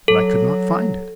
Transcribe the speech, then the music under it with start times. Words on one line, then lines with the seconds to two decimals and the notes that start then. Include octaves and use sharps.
But I could not find it.
0.08 F#3 A4